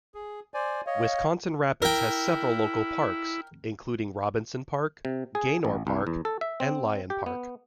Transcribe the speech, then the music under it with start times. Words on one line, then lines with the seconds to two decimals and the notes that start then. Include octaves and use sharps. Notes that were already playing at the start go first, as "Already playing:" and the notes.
Wisconsin Rapids has several local parks, including Robinson Park, Gaynor Park, and Lyon Park.
0.14 G#4
0.54 C5 D5 G#5
0.87 C#5 D#5 F5
1.82 E4 A#4 G5
5.05 C3
5.35 G#4
5.65 A1
5.87 C2
6.07 E2
6.25 A4
6.41 E5
6.60 C4
7.10 G4
7.26 B3